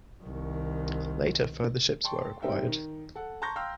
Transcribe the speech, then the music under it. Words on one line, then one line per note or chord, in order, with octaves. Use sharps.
Later further ships were acquired.
C2 D#3
G5 A5 C6 C#6
G3 C4 D#4 A#4 E5 G5
D#3
A4 F#5
A5 A#5 C6 C#6 G6 A#6
F5 G5 A#5 C6 E6 F6